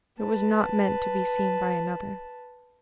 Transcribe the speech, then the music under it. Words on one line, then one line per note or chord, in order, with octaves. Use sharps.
It was not meant to be seen by another.
B4 A5